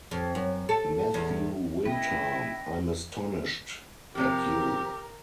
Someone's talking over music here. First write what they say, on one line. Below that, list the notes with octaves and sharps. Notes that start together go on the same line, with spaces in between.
Matthew Winter, I’m astonished at you.
F2
F#2
A4
E2
C#4 E4 B4 D#5 G5
C3 F3 G4 A#4